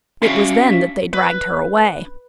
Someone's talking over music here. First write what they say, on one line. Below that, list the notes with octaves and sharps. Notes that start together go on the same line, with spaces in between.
It was then that they dragged her away.
C#4 D4 F#4 C#5 E5 F5
B4